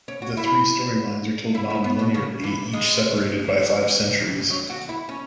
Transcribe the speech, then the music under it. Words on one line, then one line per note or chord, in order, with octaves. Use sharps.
The three story lines are told nonlinearly, each separated by five centuries.
C#4
F#4
E4
E4
E4
B3
B2
C#3
E3
G#3
F#3
F#4
E4
C#4